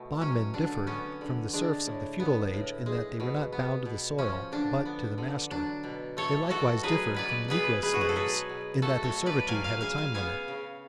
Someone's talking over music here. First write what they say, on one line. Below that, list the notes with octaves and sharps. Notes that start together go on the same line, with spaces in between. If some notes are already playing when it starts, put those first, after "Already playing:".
Bondmen differed from the serfs of the feudal age in that they were not bound to the soil but to the master. They likewise differed from the negro slaves in that their servitude had a time limit.
Already playing: B2 A3
F#3 C#4
D3 D4
B3 C#4
D3
G#3 D4
A2
B3
A2
G#3
B2
B3
B2
F3 C#4
D3 D4
B3
D3
F#3 D4
B2
A3 A4 C#5
B2 F#4 A4
F#3 G#4 B4
B2 B4 D5
B3 G#4 B4
B2 G#4 B4
F#4
G#4
A4
F#3 G#4 B4
B2
A3 F#4 A4
A4 C#5
B2
B4 D5
F#3 F5 G#5
F5 G#5
C#3 F5 G#5
F5 G#5
B3 F5 G#5
C#3